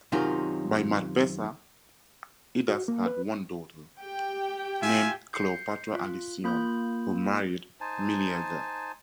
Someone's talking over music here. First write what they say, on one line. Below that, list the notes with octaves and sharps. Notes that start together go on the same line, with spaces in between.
By Marpessa, Idas had one daughter named Cleopatra Alcyone who married Meleager.
F#2 C3 D#3 C#4 D#4 F4
F#4
A#3
B4
G4 G5
F4 E5 G#5
G6 C7 C#7
F4
A#3 F4 B5 G6
D#4 C5 G#5 A5